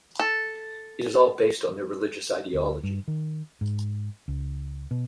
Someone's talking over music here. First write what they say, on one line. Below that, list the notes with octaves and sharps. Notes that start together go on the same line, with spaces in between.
It is all based on their religious ideology.
A4
D2
G2
D#3
G#2
C#2
B2